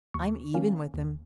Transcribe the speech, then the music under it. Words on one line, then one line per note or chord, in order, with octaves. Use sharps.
I'm even with him.'
D#2 C#6
D#3 A#3 C#4
D#2